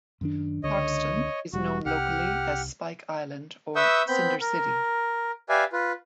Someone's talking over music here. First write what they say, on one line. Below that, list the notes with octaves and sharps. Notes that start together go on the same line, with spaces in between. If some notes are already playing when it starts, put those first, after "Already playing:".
Parkeston is known locally as "Spike Island" or "Cinder City".
F#2 D#3 D4
C#2 D3 C#5 D#5
E1 G3 F#4
C2 G4 F#5 F6
B4 E5 C#6 D#6 E6 G6
B3 C4 B5 G6
A#4
G4 B4 D5 E5 F5 G#5
F4 B4